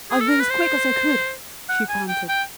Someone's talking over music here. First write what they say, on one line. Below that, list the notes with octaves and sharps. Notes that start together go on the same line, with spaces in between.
"I have been as quick as I could," she panted.
G#4
A4
A#4
B4
C5
F#5
G#5
G5
G5